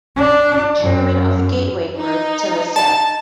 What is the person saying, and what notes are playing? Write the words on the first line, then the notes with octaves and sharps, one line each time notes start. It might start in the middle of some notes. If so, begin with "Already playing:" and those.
Chairman of the Gateway Group till his death.
D4
F#2
D#4
A5